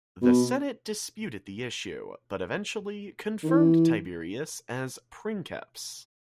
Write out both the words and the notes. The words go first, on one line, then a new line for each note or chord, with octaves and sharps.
The Senate disputed the issue but eventually confirmed Tiberius as "princeps".
B2
D#3
E3